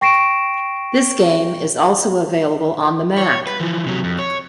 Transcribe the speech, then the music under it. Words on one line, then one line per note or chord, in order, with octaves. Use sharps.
This game is also available on the Mac.
G5 C#6 A#6 C7 D7 E7
C#5
B4
E3 F3
C3 F#3
F2
C#5